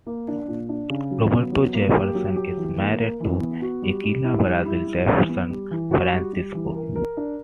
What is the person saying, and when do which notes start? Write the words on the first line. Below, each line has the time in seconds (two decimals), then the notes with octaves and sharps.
Roberto Jefferson is married to Ecila Brasil Jefferson Francisco.
0.07 A#3
0.28 D4
0.48 A#2
0.69 D4
0.90 C#3
1.11 F#3
1.32 B3
1.52 F#3
1.74 A#3
1.94 G4
2.15 F#3
2.36 G4
2.57 E3
2.79 A#3
2.99 A#4
3.20 E3
3.41 B3
3.62 F#4
3.82 G3
4.04 G3
4.24 E4
4.45 G3
4.66 E4
4.87 G3
5.08 E3
5.29 B3
5.50 G3
5.71 E3
5.91 F#4
6.13 G3
6.33 G3
6.55 E3
6.75 A#4
6.96 A#4
7.17 D4